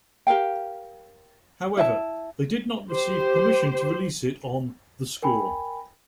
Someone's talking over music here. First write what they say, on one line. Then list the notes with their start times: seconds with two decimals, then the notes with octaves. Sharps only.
However, they did not receive permission to release it on "The Score".
0.27 G4 A#4 F5 G5
1.77 E4 E5 F5 A5
2.91 G4 C5
5.22 A#4 G5 G#5 B5